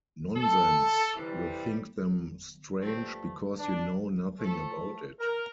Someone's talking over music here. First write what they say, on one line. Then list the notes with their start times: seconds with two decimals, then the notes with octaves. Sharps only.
Nonsense; you think them strange, because you know nothing about it.
0.35 A4
1.16 C3 E3 G3
2.76 G2 F3 A3 C4
3.58 D4
4.38 A2 F3 A3 A4
5.19 A#4